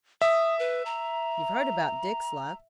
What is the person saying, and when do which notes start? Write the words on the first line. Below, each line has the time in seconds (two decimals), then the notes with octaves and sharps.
You've heard about Dick's luck?'
0.21 E5 D#6
0.59 B4
0.86 A#5